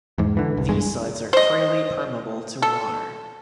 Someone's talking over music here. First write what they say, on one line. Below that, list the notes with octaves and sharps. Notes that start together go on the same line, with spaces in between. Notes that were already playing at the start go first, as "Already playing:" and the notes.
These sites are freely permeable to water.
E2 G#2
D3 E3
C2
E1 G2 G#3
C5 D#5
A4